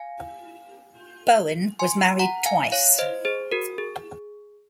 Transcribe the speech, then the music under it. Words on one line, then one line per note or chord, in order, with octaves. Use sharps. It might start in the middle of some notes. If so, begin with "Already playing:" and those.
Bowen was married twice.
Already playing: F5 G#5
G#5 C6
F#5 A#5
F5 G#5
C#5 F5
C5 D#5
G#4 C5
F#4 A#4
G#4